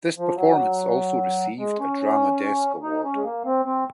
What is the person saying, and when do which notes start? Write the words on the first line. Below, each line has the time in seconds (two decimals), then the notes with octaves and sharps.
This performance also received a Drama Desk Award.
0.18 F3
0.36 F#3
1.59 G#3
1.80 C#4
2.83 D#4
3.04 C#4
3.15 G#3
3.24 A#3
3.45 C4
3.65 C4